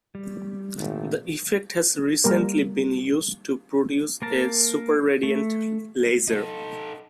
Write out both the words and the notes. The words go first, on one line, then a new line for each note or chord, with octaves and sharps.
The effect has recently been used to produce a superradiant laser.
G3
G#1 A#2 D#3 A3
G3 A#3 A#4
A#3 A#4 A5
A3
D#4 A4